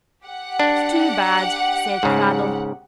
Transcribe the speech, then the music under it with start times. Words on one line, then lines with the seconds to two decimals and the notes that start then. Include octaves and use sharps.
"It's too bad," said Cradell.
0.24 G4 F#5
0.59 D4
2.03 G#2 C#3